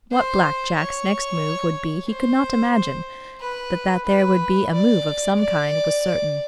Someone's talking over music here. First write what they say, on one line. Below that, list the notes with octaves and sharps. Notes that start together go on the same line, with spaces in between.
What Black Jack's next move would be he could not imagine, but that there would be a move of some kind was certain.
C5
C#5
C5
B4
B4
D5
D5